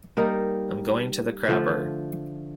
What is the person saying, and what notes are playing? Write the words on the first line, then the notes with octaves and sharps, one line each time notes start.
"I'm going to the crapper".
G3 A#3 D#4 A#4
D3 F3 A3